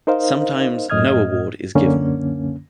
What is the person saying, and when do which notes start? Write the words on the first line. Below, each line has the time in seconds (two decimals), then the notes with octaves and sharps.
Sometimes, no award is given.
0.07 D#4 A#4 C5 D#5 F5
0.90 F#2 A2 D#5 D#6 F6 G#6
1.75 C#2 F#2 D3 A#3 C#4